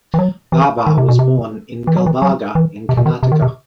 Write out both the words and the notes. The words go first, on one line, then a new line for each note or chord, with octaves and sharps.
Babar was born in Gulbarga in Karnataka.
E3
F#3
E3
D#3
C3
B2
C3
E3
F#3
E3
F#3
E3
C3
B2
D#3
C3
D#3
C3